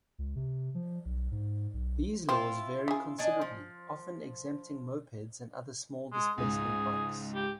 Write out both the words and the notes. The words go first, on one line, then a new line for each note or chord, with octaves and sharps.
These laws vary considerably, often exempting mopeds and other small-displacement bikes.
C#2
C3
F3
B1
G#2
B1
C4 E4 F4
C#3 G#4
D4 D#5 G#5
F3
G#3
C#2 G#2 G#4
G4